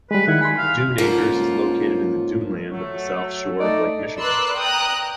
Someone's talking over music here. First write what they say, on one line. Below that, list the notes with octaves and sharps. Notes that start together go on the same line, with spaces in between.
Dune Acres is located in the duneland of the south shore of Lake Michigan.
G3 G#3 B4
D#3 E4 F#5 G#6
G#5 B5 C6
F5
G#2 C#3 F3 A#3 F4 A4
F#3 A3
A3 D#4 D5
A#4 B4 D5 C6 E6 F#6
G5 A#5 D#6 F#6